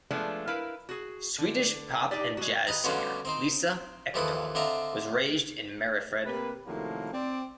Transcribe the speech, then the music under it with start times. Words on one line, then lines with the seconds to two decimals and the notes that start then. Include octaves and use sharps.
Swedish pop and jazz singer Lisa Ekdahl was raised in Mariefred.
0.11 F3 G#3 A3 B3 D4
0.47 E4 A#4 B4 F5
0.89 F#4 G#4
1.38 D3
2.11 D4 D#4 G4 D5
2.37 G#3 F#4
2.67 B4 D#5 A#5
2.84 B2 D3 G3 C#4 F4 F#4
3.25 C4 D#4 C5
4.14 D#2 E3 F3 A4 B4 D#6
4.55 D3 C4 F4 D#5 E5 A#5
6.25 C3 A#3 G4 B4
6.66 A2 C3 D#3 F3 F#3 A#3
7.13 C4 D5